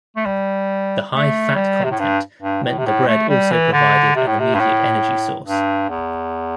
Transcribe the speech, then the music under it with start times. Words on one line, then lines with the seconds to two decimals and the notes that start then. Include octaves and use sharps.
The high fat content meant the bread also provided an immediate energy source.
0.16 A3
0.25 G3
1.12 A3
1.55 G3
1.84 C3
1.91 A2
1.99 G2
2.42 G2
2.64 A2
2.78 C3
2.86 A2
3.07 A3
3.29 G3
3.51 E3
3.73 D3
4.16 C3
4.27 A2
4.39 C3
4.55 G2
4.59 A2
5.46 G2
5.90 E2